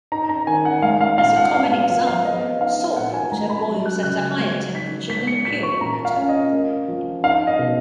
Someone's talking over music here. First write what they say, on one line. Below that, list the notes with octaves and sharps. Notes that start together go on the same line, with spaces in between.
As a common example, salt water boils at a higher temperature than pure water.
D#4 A#5
A#5
D#3 G#5
F#5
G#3 F5
F5
A#2 F5
F#5
B3 F5
F5
F3 F5
F5
B3 D#5
D#4 F5
A#2 F#5
G#5
G#3 A#5
B5
F#3
F#6
C#3 F#6
G#3 G#6
D#4 B6
G#3 B6
C#7
A#2 B6
C#6
A#2 A#5
F5
C#4
D#5
A#3
F3
D#4 F5
D#5
B2